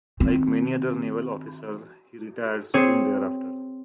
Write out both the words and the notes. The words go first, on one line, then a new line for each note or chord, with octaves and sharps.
Like many other naval officers, he retired soon thereafter.
D#3 C4
C4 G#4 C#5